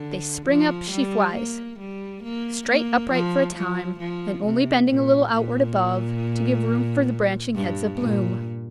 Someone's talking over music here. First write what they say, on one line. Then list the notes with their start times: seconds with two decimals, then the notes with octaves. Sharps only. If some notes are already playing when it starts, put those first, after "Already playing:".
They spring up sheaf-wise, straight upright for a time, and only bending a little outwards above, to give room for the branching heads of bloom.
Already playing: D3
0.46 F3
0.91 G3
1.35 A#3
1.79 G3
2.23 A#3
2.67 A#3
3.12 F3
3.56 F3
4.00 F3
4.45 C3
4.89 A#2
5.33 A#2
7.55 G2
7.99 A#2